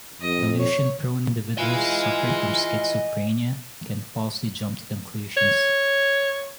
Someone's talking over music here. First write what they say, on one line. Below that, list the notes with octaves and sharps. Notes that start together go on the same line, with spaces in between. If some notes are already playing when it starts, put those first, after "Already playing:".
Delusion-prone individuals suffering from schizophrenia can falsely jump to conclusions.
F2 D#5
C#5
E3 F4 D#5 G#5
C#5